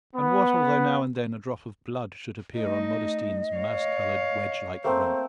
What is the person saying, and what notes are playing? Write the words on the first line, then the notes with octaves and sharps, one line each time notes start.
And what although now and then a drop of blood should appear on Modestine's mouse-coloured wedge-like rump?
B3
A3 D#4 D#5
C#5 F5
A3 A#3 C4 C5